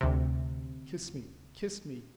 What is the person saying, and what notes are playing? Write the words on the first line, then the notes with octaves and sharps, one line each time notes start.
Kiss me, kiss me!
D2 C3